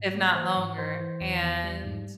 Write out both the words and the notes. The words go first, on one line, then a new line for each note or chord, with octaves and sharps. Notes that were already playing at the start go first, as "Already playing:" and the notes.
if not longer, and
Already playing: G#2
A#3
E3 C5
G#2
E3 C5
E3
E2
E2
G3
G#2